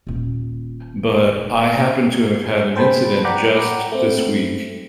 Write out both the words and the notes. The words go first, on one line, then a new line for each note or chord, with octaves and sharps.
but I happen to have had an incident just this week.
D#1 A#2
G#4 C5 G5 A5 B5
D5 F#5 G5 A#5 B5 D6
A3 C4